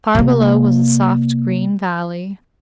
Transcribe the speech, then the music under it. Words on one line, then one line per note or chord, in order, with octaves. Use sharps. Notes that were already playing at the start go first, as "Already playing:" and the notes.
Far below was a soft, green valley.
C3 A#3